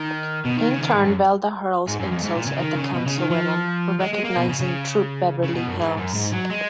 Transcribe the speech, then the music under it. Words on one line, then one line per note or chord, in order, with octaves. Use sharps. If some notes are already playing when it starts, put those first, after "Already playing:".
In turn Velda hurls insults at the councilwomen for recognizing Troop Beverly Hills.
Already playing: D#3
B2
D#3
C#3
D#3
G#2
F#2
G#2
F#2
F2
G#2
A#2
C#3
D#3
C#3
B2
C#3
D#3
F3
G#3
G#3
A#3
B2
C#3
C#3
C#3
B2
F#2
G#2
F#2
G#2
F#3
G#3